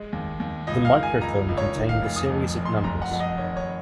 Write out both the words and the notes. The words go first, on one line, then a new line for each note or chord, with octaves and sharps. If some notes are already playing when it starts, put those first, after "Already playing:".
The microfilm contained a series of numbers.
Already playing: G#3
D#2
D#2
C#2 D#5
F5
D#3
G#5
C#2 A#5
C#2
C#5
D#3
F5
F1
D#6
F2
F1
C6
F#1 A#5
F#5
F2
D#5
D#3 C#5
C#5